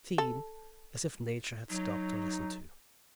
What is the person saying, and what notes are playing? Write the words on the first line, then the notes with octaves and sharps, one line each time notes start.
It seemed as if Nature had stopped to listen too.
A4
F#3 D#4